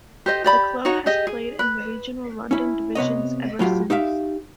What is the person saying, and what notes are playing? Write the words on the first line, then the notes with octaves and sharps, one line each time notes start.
The club has played in the regional London divisions ever since.
G4 C5 D#5
G4 D5 B5
D#4 F#4 C#5 F#5
G4 G#4 D#5
G#4
B4
C#4 E4
C3 B3 C#5 D#5
A2 F#3 F4 G4
D#4 G4 E5 F5